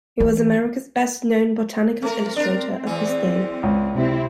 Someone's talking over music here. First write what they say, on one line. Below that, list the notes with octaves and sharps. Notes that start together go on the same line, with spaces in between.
He was America's best known botanical illustrator of his day.
E3
A3 C4 A#4
D4 A#4
E2 E3
C#2
C3 C4 E4